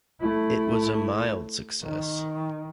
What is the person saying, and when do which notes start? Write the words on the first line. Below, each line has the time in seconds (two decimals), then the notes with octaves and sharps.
It was a mild success.
0.21 A3 E4
1.83 D#3